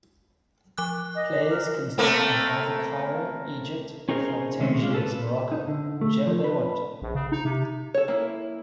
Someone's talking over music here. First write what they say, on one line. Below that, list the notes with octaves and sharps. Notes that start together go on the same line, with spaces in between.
Players can start from either Cairo, Egypt or from Tangiers, Morocco, whichever they want.
F3 D6 F#6
D#5
A#4
A3 A#3 C4
C#4 D#4 G#4 A#4 C5 C#5
C3 D#3 G#3 A3 C4 C#4
G#3 A#3 F4
A4 B4
D#4
D3
A3
F3
B4
A#1
C#3
D#4
C3
A4 C#5
A#3 E4